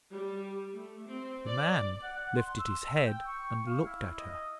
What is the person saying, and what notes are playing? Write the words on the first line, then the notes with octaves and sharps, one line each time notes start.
The man lifted his head, and looked at her.
G3
A3
C4
D5
F#5
F#5
C6
E6
G5
C#6
F5
E4
D#5